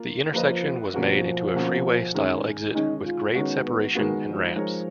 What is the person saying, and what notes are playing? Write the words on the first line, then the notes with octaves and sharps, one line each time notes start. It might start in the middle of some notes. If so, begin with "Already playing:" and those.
The intersection was made into a freeway-style exit with grade separation and ramps.
Already playing: A#3 F4
F3 A#3 F4 B4 D#5
B2 F3 A#3 C#4 F#4
B2 A#3 C#4 F#4
D#3 G#3 C#4
D#3 G#3 C#4 D#4
F4
D#3 G#3 B3 C#4 F#4
B3
D#3 G#3 A#3 B3 F#4
F3
G#3 D#4 A#4 C#5